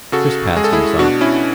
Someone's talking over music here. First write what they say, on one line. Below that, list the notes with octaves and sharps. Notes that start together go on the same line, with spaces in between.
Chris passed him some.
C#3 F#4 A4
G#3 G#4
A4
E4 G#4
B2 D4 F#4
C#4 E4